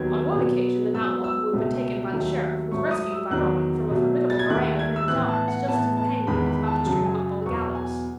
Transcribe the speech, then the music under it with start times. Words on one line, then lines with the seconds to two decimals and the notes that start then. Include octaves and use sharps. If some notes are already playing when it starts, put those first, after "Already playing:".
On one occasion an outlaw who had been taken by the Sheriff was rescued by Robin from a formidable array of men-at-arms just as the hangman was about to string him up on the gallows.
Already playing: D#2 D#3 F#3 B3 G#6
0.35 B2 F#3 B3
0.94 G#2 F#3 B3 E6
1.24 E6
1.53 C#2 B2 A3
2.12 D#2 D#3 F#3 A3
2.72 G#2 F#3 A3 C#6
2.91 D#6
3.11 E6
3.30 E2 D#3 F#3 F#6
3.90 B2 F#3 A3
4.30 A6
4.39 G#6
4.49 D#2 D#3 A3 F#6
4.79 G#6
4.96 E6
5.08 A2 E3 B3 F#6
5.29 A5
5.48 F#5
5.67 A2 E3 B3 A5
5.97 A5
6.27 E2 D#3 G#3 B3 B5
6.46 B5
6.67 A5
6.86 F#2 C#3 F#3 A5
7.05 G#5
7.46 E2 B2 F#3 B3 C#6
7.75 G#5